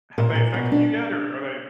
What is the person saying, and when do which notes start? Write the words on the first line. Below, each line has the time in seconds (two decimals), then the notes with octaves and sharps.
have they affected you yet, or are they
0.18 A#2 A#4
0.35 A#2
0.54 B2
0.72 D4